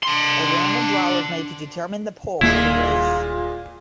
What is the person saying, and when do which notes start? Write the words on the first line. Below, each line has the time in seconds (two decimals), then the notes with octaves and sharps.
A random draw was made to determine the pole for the race.
0.03 D4 C6
2.41 D#1 D#2 A#2 G#3 A#3 E4 F4